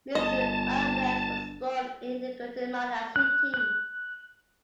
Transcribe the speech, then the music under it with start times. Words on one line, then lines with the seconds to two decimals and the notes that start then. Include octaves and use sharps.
Mr. Arenales was born in Guatemala City.
0.15 G1 D#5 A5
3.16 F#6
3.54 F#6